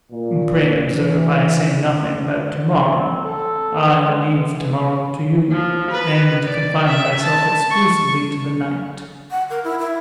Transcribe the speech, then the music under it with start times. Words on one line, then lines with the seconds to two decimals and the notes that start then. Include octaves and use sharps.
Pray observe, I say nothing about to-morrow--I leave to-morrow to you, and confine myself exclusively to the night.
0.11 A#2
0.94 E3
2.90 C4
3.24 A4
3.81 E3
4.03 G#3
4.30 E3
5.51 F3
5.91 B4
6.45 D5
6.87 E5
7.23 A5
7.71 C#6
9.31 F#5
9.50 A#4
9.64 E4
9.79 E4